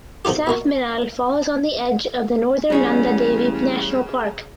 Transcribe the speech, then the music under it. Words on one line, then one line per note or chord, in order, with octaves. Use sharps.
Saf Minal falls on the edge of the Northern Nanda Devi National Park.
B1 F3 D#4 F4 G4
B2 A#3 F#4
A1 C#3 G3 C#4 G#4